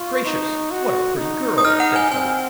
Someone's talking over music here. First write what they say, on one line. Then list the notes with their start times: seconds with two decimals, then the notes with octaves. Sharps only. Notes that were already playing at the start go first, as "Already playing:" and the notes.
'Gracious! what a pretty girl!' said Tubby.
Already playing: F4 C#6
0.25 D#4
0.71 F#4
1.17 D#4
1.58 D#6
1.64 D#4 F6
1.80 F#5
1.96 G#5
2.11 C4 G#5